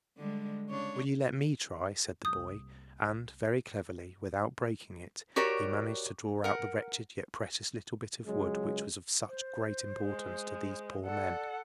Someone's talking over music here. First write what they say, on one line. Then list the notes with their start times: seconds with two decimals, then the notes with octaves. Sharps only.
"Will you let me try?" said the boy, and very cleverly, without breaking it, he managed to draw out the wretched yet precious little bit of wood which was of such great importance to these poor men.
0.17 D3 G3 G#3
0.69 C#3 D4 C#5
2.25 C2 A#3 D#6 G6
5.36 F#4 G4 A#4 C#5 D5
6.44 A#4 F#5
8.25 C#2 F#3 G#3
9.28 C5
10.01 G#3
11.06 A4 D5 F#5